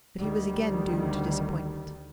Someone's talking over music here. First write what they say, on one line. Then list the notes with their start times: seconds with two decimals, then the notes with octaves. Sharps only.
But he was again doomed to disappointment.
0.19 D2 D#3 G3